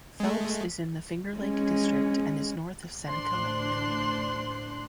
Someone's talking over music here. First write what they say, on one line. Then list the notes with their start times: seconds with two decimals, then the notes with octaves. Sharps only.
Phelps is in the Finger Lake District and is north of Seneca Lake.
0.20 G#3 A3
1.37 G#3 C#4
3.07 A1 D2 D4 C5 C6 F#6